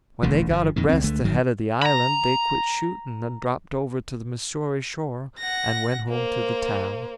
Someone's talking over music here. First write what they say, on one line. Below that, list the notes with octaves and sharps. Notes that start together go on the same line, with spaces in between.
When they got abreast the head of the island they quit shooting and dropped over to the Missouri shore and went home to the town.
D#1 A1 A2 D3
G1 F3
F2 A#2 D#3
C#2 C4
C#2 D3 A3
G1 D#3 F#3
A#5 B5
F#5 A#6
A#3 C5